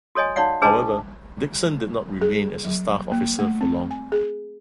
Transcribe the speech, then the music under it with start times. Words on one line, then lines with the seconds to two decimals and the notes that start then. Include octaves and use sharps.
However, Dickson did not remain as a staff officer for long.
0.15 F#4 A4 C#5 D#5 G#5
0.36 D#4 F#4 C#5 D5 F5 F#5
0.62 D4 G#4 B4 C5 D#5 A5
2.21 G#4
2.65 F#3
3.12 A#3
3.39 A3
3.61 C4
3.91 G#5
4.12 G#4